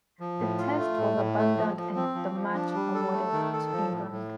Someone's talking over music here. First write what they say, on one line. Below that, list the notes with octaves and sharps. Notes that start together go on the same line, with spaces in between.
The Test was abandoned and the match awarded to England.
F3
A2
F4
A3
A2
A2
A3
F3
F3
C4
F3
F3
D4
G3
A4
A3
D#3
A4
F3
A2
A2